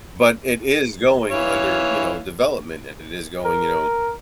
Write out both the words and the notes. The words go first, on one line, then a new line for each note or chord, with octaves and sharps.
but it is going under, you know, development, and it is going, you know
E3 C#5 F5
A#4